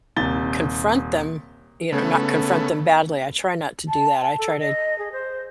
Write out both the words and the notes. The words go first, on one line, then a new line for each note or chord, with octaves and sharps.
confront them you know, not confront them badly, I try not to do that, I try to
D#1 C3 A6 G7
C#3 A3 B3
A5
A4
D#5
G#4
C5